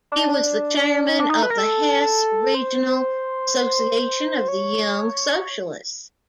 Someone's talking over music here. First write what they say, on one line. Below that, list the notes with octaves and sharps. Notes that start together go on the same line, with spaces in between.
He was the chairman of the Hesse regional association of the Young-Socialists.
D4
D#4
D4
D#4
B4
A#4
A4
C5
C#5